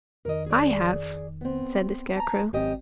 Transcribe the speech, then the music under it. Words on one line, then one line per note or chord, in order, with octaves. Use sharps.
"I have," said the Scarecrow.
F2 D#3 A#4 D#5
G#4 D5
B3 C4
A5 A#5
G#1 F#2 C4 G4 D#5